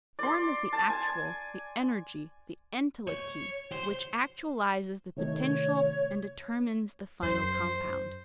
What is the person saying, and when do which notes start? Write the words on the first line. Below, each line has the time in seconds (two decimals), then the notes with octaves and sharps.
Form is the actual, the energy, the entelechy which actualises the potential and determines the final compound.
0.19 D5 C6
0.73 A5
0.90 G#5
3.07 C#5
3.72 C5
5.17 C3 D#3 A3 C#5
7.23 F#2 C5